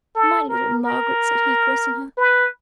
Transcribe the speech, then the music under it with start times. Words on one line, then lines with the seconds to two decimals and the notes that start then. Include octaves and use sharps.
'My little Margaret!' said he, caressing her.
0.15 A4
0.49 A#4
0.83 A#4
2.18 B4